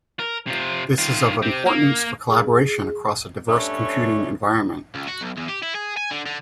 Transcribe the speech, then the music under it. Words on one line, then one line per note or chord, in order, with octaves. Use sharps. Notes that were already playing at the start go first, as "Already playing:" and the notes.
This is of importance for collaboration across a diverse computing environment.
A#4
C3 F4
D#3 F4
C4 G4
A#3
G#4
G2 A3 C#4 D4 C#5
C#2
F#4
B1
E2
G4
E4
G#4
G#5
D3
D3